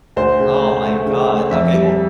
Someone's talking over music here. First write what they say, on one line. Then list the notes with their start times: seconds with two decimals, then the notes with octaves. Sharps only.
Oh my God. Okay, well eh,
0.16 D2 C5
0.40 C#3
0.61 A3
0.84 A3
1.06 C#3
1.28 A3
1.51 F2 E5
1.74 G3